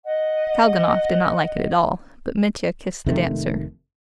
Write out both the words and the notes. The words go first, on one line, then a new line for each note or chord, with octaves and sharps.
Kalganov did not like it at all, but Mitya kissed the dancer.
D#5 F#5
F1 C3 D#3 A3